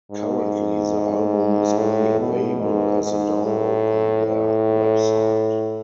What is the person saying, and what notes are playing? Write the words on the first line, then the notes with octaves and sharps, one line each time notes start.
Currently the album is only available as a download on their website.
G#2
A2
B2
G#2
G#2
A2
A2